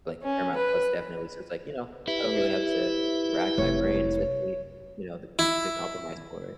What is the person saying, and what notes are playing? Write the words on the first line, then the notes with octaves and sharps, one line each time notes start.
like, Paramount Plus definitely, so it's, like, you know, I don't really have to rack my brain, especially, you know, the to compromise for it.
C#4
B4
E4 G4 B4 E5
F1 C#5
E4